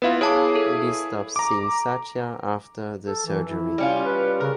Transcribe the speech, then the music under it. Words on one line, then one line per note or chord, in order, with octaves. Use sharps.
Sudhi stops seeing Satya after the surgery.
B3 E4 F4 B4 F5
E4 G#4 C#5 A5 D6
A4
A#5 D6
A4
E3
E4
G3 C#4 F4
B4
C#3 A#4